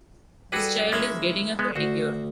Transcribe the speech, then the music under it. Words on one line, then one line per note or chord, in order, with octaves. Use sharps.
This child is getting a pedicure.
G3 F#4 G#4 A4 B4
G#3 A#3 C#4 E4 E5
G#3 B3
D2 F#4 C5